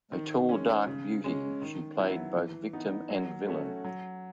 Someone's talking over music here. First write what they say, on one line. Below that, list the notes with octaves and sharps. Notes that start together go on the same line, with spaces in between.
A tall, dark beauty, she played both victim and villain.
D#3
G#3 C#4
C#3
G#3 C#4
D#3
F#3 B3 E4
E3
B3 D#4
F#3
A3 C#4 F#4
F#3